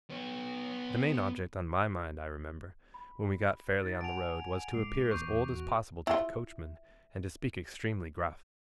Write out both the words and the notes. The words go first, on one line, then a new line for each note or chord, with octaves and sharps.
The main object on my mind, I remember, when we got fairly on the road, was to appear as old as possible to the coachman, and to speak extremely gruff.
B3 C#5
B5
D#4 A6
F#5 G#5 A5 D7 F7
A2 G#3 A3 D6 C7
D#1 E2 A#3 C#6 G6 C7
F#4
E4 F4